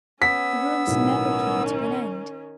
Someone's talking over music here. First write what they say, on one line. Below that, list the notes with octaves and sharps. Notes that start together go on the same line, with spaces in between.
The rooms never came to an end.
B3 C#4 E6 B6
B1 A2 D#3 C#4